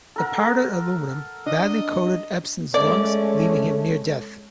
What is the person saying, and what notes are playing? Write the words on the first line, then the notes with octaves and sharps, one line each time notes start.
The powdered aluminum badly coated Ebsen's lungs, leaving him near death.
A4 A#4 F#5
D4 D#5
G#3 A3 C#4 D5